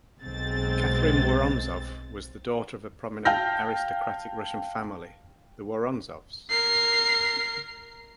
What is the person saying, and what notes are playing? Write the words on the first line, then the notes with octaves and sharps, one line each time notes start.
Catherine Woronzow was the daughter of a prominent aristocratic Russian family, the Woronzows.
B1 G#3 C4 A6
F5 G5 A5 F6 G6 A#6
A#4 C7